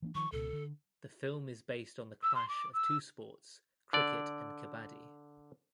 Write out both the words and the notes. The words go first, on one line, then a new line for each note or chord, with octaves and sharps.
The film is based on the clash of two sports cricket and kabaddi.
E3 A#3 D4
D#3 F3 C#6
C#2 B2 A4
D3
E6
C6
D6
E6
D3 D5